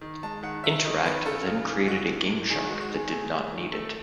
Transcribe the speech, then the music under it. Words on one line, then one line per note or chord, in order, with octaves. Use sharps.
InterAct then created a GameShark that did not need it.
D#3
G#3 A5
D#3 F#5
D#3 E5
D#3 D#5
D#3 B4
C#3 A4
C#3
E3
G#3 F#4
A2
A2
D#3 G#4
F#4
G#3
F#4
D#3 G#4
A3 G#4
A3
D#3
A3 A4